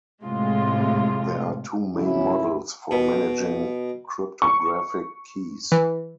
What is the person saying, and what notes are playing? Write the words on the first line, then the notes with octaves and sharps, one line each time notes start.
There are two main models for managing cryptographic keys.
A2 C3 G#3 F4
G#2 C#3 F#3 C#4 E4
B2
C#6
E3